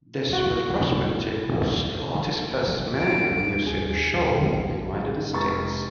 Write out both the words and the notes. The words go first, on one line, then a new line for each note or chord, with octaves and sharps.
This retrospective was the artist's first major museum show in the United States.
E4 F#4
D7
D#2 G3 G#4
A#1 A2
F1 G#3 C#6 A6